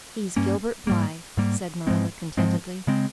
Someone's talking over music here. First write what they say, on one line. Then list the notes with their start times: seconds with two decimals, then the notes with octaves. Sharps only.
"He's Gilbert Blythe," said Marilla contentedly.
0.36 G2 G3 A#3 C#4
0.87 G#2 G3 A#3
1.37 G#2 G3 A#3
1.87 G#2 F3 G#3 C4
2.37 G#2 F3 G#3 C4
2.87 C#3 G#3 C4